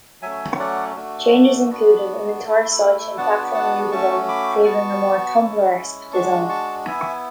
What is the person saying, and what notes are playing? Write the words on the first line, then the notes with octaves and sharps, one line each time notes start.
Changes included an entire site and platform redesign, favoring a more Tumblr-esque design.
F#3 A3 C#4 E5 G#5
D5 F#5
A3 D4 F#4
B3 D4 F#4
A3 E4
B3 D4 F#4 F#5 A5
F#5 A5
A3 C#4 F#4 A5 C#6
B5 D6
B3 F#4 A5 C#6
G#3 C#4 E4
G#3 D4 F#4 A5 C#6
A5 C#6
B3 E4 E5 G#5